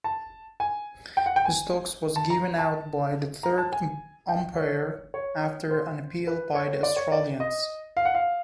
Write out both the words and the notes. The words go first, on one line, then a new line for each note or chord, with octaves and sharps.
Stokes was given out by the third umpire after an appeal by the Australians.
A5
G#5
G5
F#5
G5
G#5
A5
A#5
A5
A#5
A5
G#5
G5
C#5
C#5
C5
B4
C#5
C#5
D5
C#5
D5
D#5
F5
F#5
F5